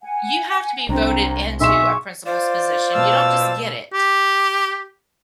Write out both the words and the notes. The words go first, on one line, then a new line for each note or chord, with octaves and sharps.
You have to be voted into a principal's position, you don't just get it.
F#5 G#5
C2 C4 D4 C5 G5 A#5
B1 G#4 E5 C6 C#6 E7
F4 C5 D5
B2 F5 A5 E6
G4